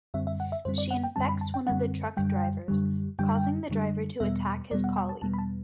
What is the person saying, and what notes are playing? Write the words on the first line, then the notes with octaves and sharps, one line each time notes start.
She infects one of the truck drivers, causing the driver to attack his colleague.
F#2 D3 G3 C4 E5
E5
F#5
E5
F#2 D3 G3 C4 C5
D5
F#5
G5
F#2 D3 G3 C4 A5
B5
A5
G5
F#2 D3 G3 C4 F#5
F#2 D3 G3 G5
F#2 D3 G3
F#2 D3 G3 G5
F#2 D3 G3
E2 B2 G3 B3 E5
E2 B2 G3 B3 D5
F#5
G5
A5
E2 B2 G3 B3 A5
B5
A5